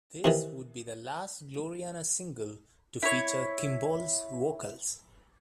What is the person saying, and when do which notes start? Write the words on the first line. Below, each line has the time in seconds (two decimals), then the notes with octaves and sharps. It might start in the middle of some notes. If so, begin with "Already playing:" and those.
This would be the last Gloriana single to feature Kimball's vocals.
0.24 C3 D#3 E3
3.03 E4 C#5